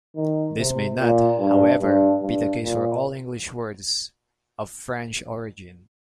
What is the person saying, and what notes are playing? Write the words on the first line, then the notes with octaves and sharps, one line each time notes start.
This may not, however, be the case for all English words of French origin.
D#3
C3
A#2
G2
G2
G2
A#2